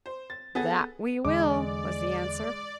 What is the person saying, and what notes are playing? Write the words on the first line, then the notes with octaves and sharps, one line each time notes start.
"That we will," was the answer.
C5
A6
B3 G#4 A4 A6
E2 D3 G#3 D5 D6